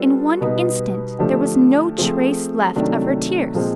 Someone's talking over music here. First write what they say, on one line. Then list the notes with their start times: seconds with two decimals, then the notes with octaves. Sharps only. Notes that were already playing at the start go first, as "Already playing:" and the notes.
In one instant there was no trace left of her tears.
Already playing: G3 B3 D4 F4 A4
0.41 B2 G3 B3 D#4
1.19 D3 F3 A3 D4 G4
1.98 F3 A3 C4 F4 G#4
2.76 C3 D#3 F#3 A3 D4
3.54 A#2 F3 G#3 C4